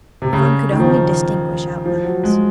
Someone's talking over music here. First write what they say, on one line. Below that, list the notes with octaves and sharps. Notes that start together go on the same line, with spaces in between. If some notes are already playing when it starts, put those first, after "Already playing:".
Yvonne could only distinguish outlines.
C3
C#3
D#3
F3
D#3
F3
F#3
G#3